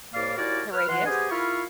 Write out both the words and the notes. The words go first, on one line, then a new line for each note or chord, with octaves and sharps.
The radius.
C2 A2 A#3 D5 F5
D#2 E4 F#4 A#4 D5
B4 F6
E3 F#5 C6
B3 G4 G#4 C5 D#5 G#5
E4 F4 A#4 F5 B5 C#6